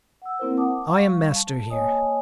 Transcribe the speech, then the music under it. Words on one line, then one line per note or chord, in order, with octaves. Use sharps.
I am master here.
F#5 E6
A#3 C4 E4 A#4 C5
F#5 A5 D6 D#6
G3 F5 C#6
A5
A#3 C#5 D#5 G#5 A5 D#6